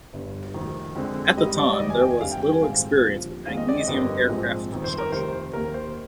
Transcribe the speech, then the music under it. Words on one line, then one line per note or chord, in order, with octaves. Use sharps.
At the time there was little experience with magnesium aircraft construction.
G1 G2 D3
F1 F2 D#3
F2 D3 G#3 C4
G#1 G#2 G3 D#5
D5
D5
F1 D#2 D#3 D#5
G#5
G5
G#5
F1 F2 D3 G3 F5
G5
G5
G#5
A#1 G#2 D#3 G#3 C4 F5
D#2 D3 F3
F2 D#3 G#3 C4 F5
D#5
D5
D#5
G1 F2 D3 G3 A#3
A#1 G#2 F3 G#3 C4
G1 F2 D#3
C5
A#4
F1 F2 C3 D#3 C5
C5
D#2 D#3 A#3 A#4
C5